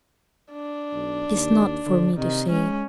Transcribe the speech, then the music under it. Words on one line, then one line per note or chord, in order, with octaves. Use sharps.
"It is not for me to say."
D4
B1
D#2
D3
C3 D#3
G#3 C#4